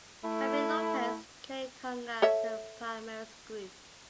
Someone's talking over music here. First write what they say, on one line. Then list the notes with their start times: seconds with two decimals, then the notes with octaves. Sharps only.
Tommy Lopez played congas in Palmieri's group.
0.24 A3 E4
2.22 A4 C#5 E5